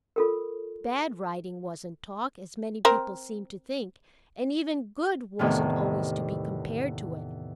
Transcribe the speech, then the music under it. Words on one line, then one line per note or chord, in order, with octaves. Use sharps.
Bad writing wasn't talk, as many people seemed to think, and even good wasn't always to be compared to it.
F4 A4 A#4
C4 A#4
E2 A2 C3 D#3